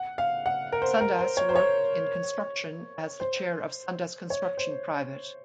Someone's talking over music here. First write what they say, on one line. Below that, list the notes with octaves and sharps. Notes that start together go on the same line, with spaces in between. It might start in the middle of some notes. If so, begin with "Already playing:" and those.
Sundas worked in construction as the chair of Sundas Construction Pvt.
Already playing: F#5
F5
F#5
A#4
C5
A#4
C5
C#5
C5
C#5
C5
C#5
C5